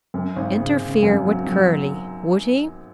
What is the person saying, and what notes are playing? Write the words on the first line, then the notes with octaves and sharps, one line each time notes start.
Interfere with Curly, would he?
F#2
G#1
C#3
C#3
F#2
F#3
F#3